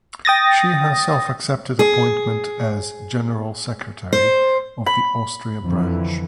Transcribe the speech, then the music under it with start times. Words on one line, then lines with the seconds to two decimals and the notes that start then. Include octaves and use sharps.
She herself accepted appointment as "General Secretary" of the Austria branch.
0.25 G5 D#6 A6 A#6
1.79 G#4
4.13 C5
4.86 B5
5.63 F2 D3 E3